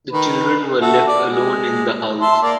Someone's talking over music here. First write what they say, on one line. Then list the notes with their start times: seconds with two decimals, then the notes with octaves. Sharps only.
The children were left alone in the house.
0.12 D#3 B4
0.81 F#4 A4 E5
1.07 D5
1.26 G#3
2.21 E5 A5 C6
2.42 A#3 D5